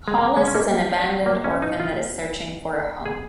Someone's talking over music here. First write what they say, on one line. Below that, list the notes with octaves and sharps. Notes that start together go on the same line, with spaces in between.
Hollis is an abandoned orphan that is searching for a home.
G#3
A#3
G#3
C#4
A#3
A#3
C#4
D#4
F4
G#4